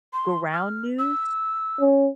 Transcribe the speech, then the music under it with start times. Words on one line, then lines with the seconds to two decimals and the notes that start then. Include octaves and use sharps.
Ground News?
0.13 C6
0.53 F6
0.99 E6
1.80 C#4